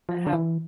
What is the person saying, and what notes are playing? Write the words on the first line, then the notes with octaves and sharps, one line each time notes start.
and have
F3
D3
E3